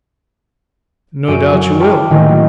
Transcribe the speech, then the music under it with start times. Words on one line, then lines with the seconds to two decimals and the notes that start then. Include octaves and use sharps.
"No doubt you will!"
1.28 F#2 D7 D#7
1.53 F#3 E4
1.80 G5 A5 B5 D6 F6
2.10 A1 D3 D#3 A#3 E4 D5
2.29 F#3